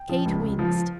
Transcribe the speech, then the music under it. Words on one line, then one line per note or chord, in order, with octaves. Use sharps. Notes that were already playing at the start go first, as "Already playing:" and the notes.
Kate winced.
Already playing: G5
F3
C#2
C#2
F3